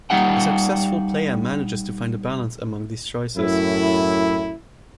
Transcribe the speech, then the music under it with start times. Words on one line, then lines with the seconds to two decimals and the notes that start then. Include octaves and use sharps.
A successful player manages to find a balance among these choices.
0.10 G3 D#4 F#5 G5
3.36 F#2 A2 E4